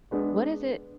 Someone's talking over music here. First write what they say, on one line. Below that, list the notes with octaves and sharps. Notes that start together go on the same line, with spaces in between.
What is it
G#3 B3 D4